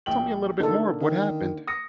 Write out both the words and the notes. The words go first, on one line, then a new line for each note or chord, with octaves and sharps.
tell me a little bit more of what happened.
A#1 G5 F#7
D3 A#3 D#4 A4
D#3
D#6 A#6 C#7